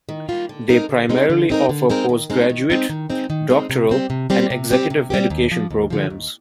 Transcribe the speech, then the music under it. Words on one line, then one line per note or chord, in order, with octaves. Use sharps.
They primarily offer postgraduate, doctoral and executive education programmes.
D#3
G3 A#3 F4
D3
G#3 C4 D#4 A#4
D3
G#3 C4 D#4 A#4
D3
G#3 C4 D#4 A#4
D3
G#3 C4 D#4 A#4
D#3
G#3 C4 D#4
D#3
G#3 C4 D#4
D#3
G#3 C4 D#4
D#3
G#3 C4 D#4
C3
G3 C4 G4
C3
G3 C4 G4
C3
G3 C4 G4
C3
G3 C4 G4
D#2
D3 F3
D#2
D3 F3
D#2